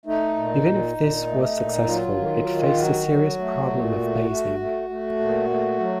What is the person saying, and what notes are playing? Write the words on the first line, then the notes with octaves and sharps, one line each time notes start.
Even if this was successful it faced the serious problem of basing.
A3 D#4
A#2
A#2
A#2
A3
A#2
F#3 F4
D#3
D#3
F#3 F#4
F#3
A3
A#2
A3
A3
A3
A3
A#2
A3
F#3